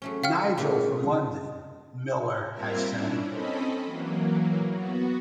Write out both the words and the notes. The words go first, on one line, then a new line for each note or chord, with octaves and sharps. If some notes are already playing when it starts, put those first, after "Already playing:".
Nigel from London, Miller has said.
F#3 A3 C#4
F5 G5 F6
A#2 C#3 A3
G3 A#3 C4 F4 A#4 E5
C#4 D4 E4
C4 C#4 A4 D#5 B5
E3 F#3 A#3
B3 F#4